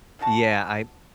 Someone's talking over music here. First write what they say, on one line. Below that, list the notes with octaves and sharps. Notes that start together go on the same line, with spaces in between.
Yeah, I
F3 D4 F#4 A5